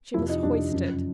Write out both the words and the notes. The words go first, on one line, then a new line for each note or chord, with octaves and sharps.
She must hoist it.
F2 C3 F3 E4
D#4
F2 C3 F3 D4
F#2 C#3 F3